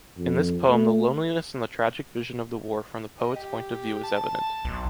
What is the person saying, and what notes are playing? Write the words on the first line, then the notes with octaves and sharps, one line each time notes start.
In this poem the loneliness and the tragic vision of the war from the poet’s point of view is evident.
F2
A3
D#5
G4
A5
B1